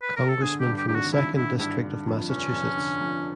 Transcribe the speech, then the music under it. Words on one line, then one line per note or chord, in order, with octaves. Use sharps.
Congressman from the Second District of Massachusetts.
B4
A#4
A4
D3 G#4
G4
G2
G4
G#1 G4
F#4
G#1 E4
D3 E4
G2 E4
D3
F2
F1 C#4
F1
D3
F2